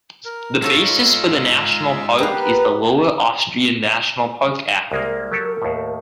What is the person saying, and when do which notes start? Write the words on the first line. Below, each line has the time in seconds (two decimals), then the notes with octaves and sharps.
The basis for the national park is the Lower Austrian National Park Act.
0.25 A#4
0.62 G#3 D#4 F4 A4 C#5 A5 E6
2.19 A#3 B3 G4 A#4 B4
4.92 C2 G#3 A#3 A#4
5.32 F#3 G4 A4
5.62 D#2 A2